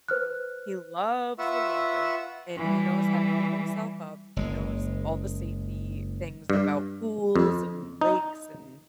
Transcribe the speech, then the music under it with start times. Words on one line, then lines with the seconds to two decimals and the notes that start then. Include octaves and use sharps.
He loves the water, and he knows how to keep himself up, he knows all the safety things about pools, and lakes, and
0.08 B4 C5 F6 F#6
1.39 F4 B4 E5 F#5 C#6 E6
2.56 E3 G3
4.36 F#1 G#3
6.50 G2
7.36 F2
8.01 D#4